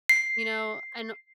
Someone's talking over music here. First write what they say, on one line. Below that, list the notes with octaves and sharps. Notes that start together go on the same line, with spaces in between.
you know, and
C7